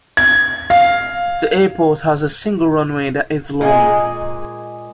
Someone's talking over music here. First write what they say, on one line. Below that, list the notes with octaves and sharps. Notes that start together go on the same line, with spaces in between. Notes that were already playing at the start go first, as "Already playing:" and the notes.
The airport has a single runway that is long.
G#6
F5
A#2 G#3 G#4